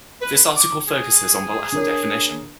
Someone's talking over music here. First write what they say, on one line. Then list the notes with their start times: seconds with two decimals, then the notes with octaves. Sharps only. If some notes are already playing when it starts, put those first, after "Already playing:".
This article focuses on the latter definition.
0.21 B4
0.56 D6
0.88 G#4
1.72 D4 A#4 C#5